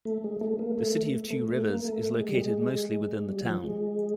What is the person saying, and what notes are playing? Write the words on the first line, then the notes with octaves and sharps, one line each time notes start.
The City of Two Rivers is located mostly within the town.
A3
G#3
A3
A#3
A3
A3
A3
A#3
A3
G#3
G3
G#3
G3
F3
G#3